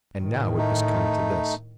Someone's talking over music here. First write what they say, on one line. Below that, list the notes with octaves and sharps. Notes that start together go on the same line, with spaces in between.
And now it was come to this.
A2 D#3
A3 D#4